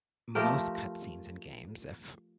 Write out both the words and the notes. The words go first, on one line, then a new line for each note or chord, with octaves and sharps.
Most cut scenes in games, if
F3 A3 G4 A#4